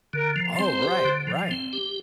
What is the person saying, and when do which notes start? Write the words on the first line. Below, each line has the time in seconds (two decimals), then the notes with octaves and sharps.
Oh, right, right.
0.13 D3 A#4
0.36 F3
0.59 C4 C5
0.82 G4
1.05 D3
1.27 F3
1.51 C4
1.73 G4